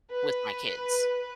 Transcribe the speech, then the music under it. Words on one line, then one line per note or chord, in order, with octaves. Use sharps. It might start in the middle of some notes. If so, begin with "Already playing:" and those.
with my kids."
B4